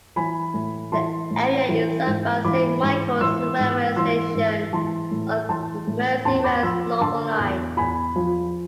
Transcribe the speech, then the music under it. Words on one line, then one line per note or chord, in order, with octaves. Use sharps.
The area is served by Saint Michaels railway station on Merseyrail's Northern Line.
E3 G#5 B5
A2
E3 A5 C6
A2
E3
G#2
E3 B5 D6
G#2
E3 C6 E6
G#2
E3 C6 E6
G#2
E3 A5 C6
A2
E3 A5 C6
A2
E2 A5 C6
B5 D6
F3 C6 E6
D3 A5 C6
E2
E2 G#5 B5
F3